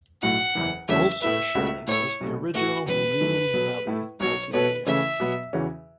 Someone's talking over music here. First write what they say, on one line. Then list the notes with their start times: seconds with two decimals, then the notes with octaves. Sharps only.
Also shown is the original Moomin Valley multimedia.
0.22 B1 A2 A3 F#4 F#5
0.55 F#1 E2 E3
0.88 E2 C#3 F#3 A3 C#4 E5
1.21 A2 A3 E4 B4 E5
1.55 C#2 C#3 A3 F#4
1.87 A2 A3 E4 C#5
2.21 B1 B2 A3
2.54 A2 A3 E4 F#4 B4
2.87 E1 E2 B2 F#3 C#4 B4
3.21 F#2 E3 A3 E4
3.54 B2 F#3 B3 A4
3.87 A2 A3 E4
4.20 B1 B2 F#3 C#5
4.53 B2 B3 A4 B4 C#5
4.87 C#3 E3 A3 C#4 E4 E5
5.20 B2 F#3 B3
5.53 E2 C#3 E3 C#4 F#4